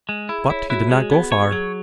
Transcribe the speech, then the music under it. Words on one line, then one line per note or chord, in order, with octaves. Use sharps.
But he did not go far.
G#3
E4 G#4
E4 C#5
E4 F#4
G#3 G#4
B3 G#4
C#5
F#3 G#4